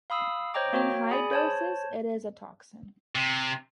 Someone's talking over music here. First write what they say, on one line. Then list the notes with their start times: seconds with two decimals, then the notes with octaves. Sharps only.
In high doses, it is a toxin.
0.10 F5 B5 D#6 E6
0.54 C5 C#5 D#5 G5 A#5 D6
0.73 A#3 F#4 C#5 G5
1.11 G#4 D5 G#5 B5
1.31 C5 C#5 A5
3.15 C3